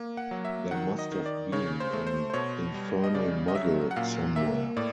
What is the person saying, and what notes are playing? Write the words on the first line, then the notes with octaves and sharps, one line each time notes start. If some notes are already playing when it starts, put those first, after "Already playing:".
There must have been an infernal muddle somewhere.
Already playing: A#3
F#5
F#3
E5
D#3 F#5
D#5
D#3
D5
C#3 C#5
C5
A3
C5
C5
B2 C#5
G3
D#5
C#3 D5
D#5
F#3 E5
F#5
A#2 F5
A#3 E5
A2 D5